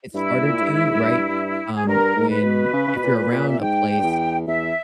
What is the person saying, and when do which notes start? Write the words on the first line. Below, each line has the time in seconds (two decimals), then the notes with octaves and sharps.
it's harder to, right? Um, when if you're around a place,
0.14 G2 E4
0.43 A#2
0.62 G2
0.71 G#2
1.00 G2
1.29 G2
1.76 G#4
1.87 G2 A#4
2.16 G#2
2.30 B4
2.44 B2
2.73 C#3
2.88 C#3
2.96 B2
3.03 A#2
3.31 A#2
3.48 E5
3.60 G#2 G5
3.99 G2
4.03 E2
4.47 E2 E5